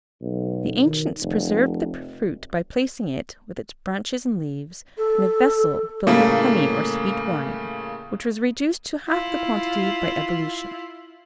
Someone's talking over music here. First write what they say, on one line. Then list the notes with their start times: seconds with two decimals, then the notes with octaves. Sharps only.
The ancients preserved the fruit by placing it, with its branches and leaves, in a vessel filled with honey or sweet wine, which was reduced to half the quantity by ebullition.
0.22 B1
0.85 D#3
1.21 F1
4.97 A4
6.07 A2 C#3 G3 A3 A#3
9.09 E4 F4